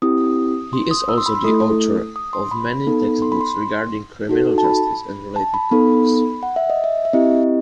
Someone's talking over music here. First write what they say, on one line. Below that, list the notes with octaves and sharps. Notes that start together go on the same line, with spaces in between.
He is also the author of many textbooks regarding criminal justice and related topics.
C4 E4 G4 D#6
C6
D#6
E6
C6
B5
C6
A3 E4 A4 D#6
D#6
C6
B5
B3 D#4 A4
C6
B5
C6
D#4 F#4 A4
A5
B5
A5
B5
B3 D#4 A4 B5
F#5
E5
D#5
E5
E5
C4 E4 G4 D#5